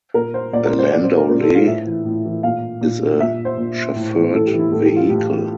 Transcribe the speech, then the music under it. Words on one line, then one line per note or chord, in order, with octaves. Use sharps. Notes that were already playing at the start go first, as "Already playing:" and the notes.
A landaulet is a chauffeured vehicle.
A#2 A#4
C5
A#2 D5
A#4
C5
A#2 D5
C5
A#4
A#2 A#4
A4
F4
A2 E5
E3
A2
E3
A#2 F5
A#2
A#2 E5
C5
A#2
A2
E3
A2 A4
G4
E3
E4
A2 A4
G4
E3 F4
A2 G4
E3